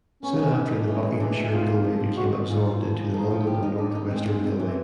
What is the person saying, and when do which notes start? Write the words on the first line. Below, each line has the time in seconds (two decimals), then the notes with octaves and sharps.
Soon after the Buckinghamshire Railway became absorbed into the London and North Western Railway.
0.23 B3 C#4
0.39 D#4
0.56 B3
0.71 D#4
0.77 D4
0.87 E3 C#4
1.03 G#3
1.20 E3 D4
1.36 D2
1.52 C3 F4
1.68 A#3
1.84 F3
2.00 C3
2.16 G#2 F#4
2.33 G3
2.49 G#2 F4
2.65 G#2
2.81 F3 E4
2.98 F3
3.14 F3 D#4
3.31 F3
3.47 G4
3.63 D#4
3.78 D4 D#4
3.95 D#4
4.11 G#3 C4
4.27 C4
4.44 C3
4.60 E3